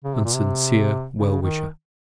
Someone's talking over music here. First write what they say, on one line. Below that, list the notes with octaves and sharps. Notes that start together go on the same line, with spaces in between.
And sincere well-wisher.
C#3
C3
A#2
C3
C#3
D#3